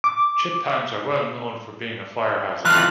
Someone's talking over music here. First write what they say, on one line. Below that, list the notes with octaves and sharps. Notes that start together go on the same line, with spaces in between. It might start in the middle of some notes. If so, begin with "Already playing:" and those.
Chip pans are well known for being a fire hazard.
D6
F2 E3 F4 F#6